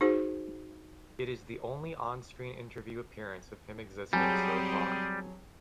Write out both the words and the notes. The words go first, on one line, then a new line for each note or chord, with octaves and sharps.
It is the only on-screen interview appearance of him existing so far.
D#4 F#4 G#4 C5
F#3 G3 C4 G4 G#4 G#5 A5